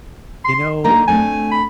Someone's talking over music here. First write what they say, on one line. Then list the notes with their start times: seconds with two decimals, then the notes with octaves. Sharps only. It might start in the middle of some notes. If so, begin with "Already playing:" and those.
You know,
0.45 C6
0.84 D3 A#3 D#4 A#5
1.08 A3 C4 D4 G#5
1.52 B5